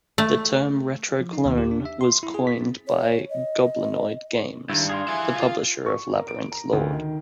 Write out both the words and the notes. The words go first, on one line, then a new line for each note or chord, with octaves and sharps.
The term "retro-clone" was coined by Goblinoid Games, the publisher of Labyrinth Lord.
A3
F3
D#4
D#2
G4
D4
E5
C6
E4
G#4
B6
C4
C#5
D#5
G2 D#3 E4
G#4 F5 C6
E4 G#5
F4
C#6
A#4
D7
A#5
D2
D#3